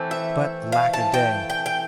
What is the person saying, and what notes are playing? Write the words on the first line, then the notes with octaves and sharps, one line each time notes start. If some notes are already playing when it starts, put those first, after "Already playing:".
But alack-a-day!
Already playing: E3 A3 C4
E5
F5
A5
G5
G5
G5